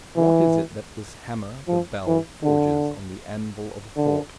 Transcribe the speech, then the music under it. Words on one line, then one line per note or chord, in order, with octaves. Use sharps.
What is it that this hammer, the bell, forges on the anvil of thought?
E3
F3
E3
D3
D3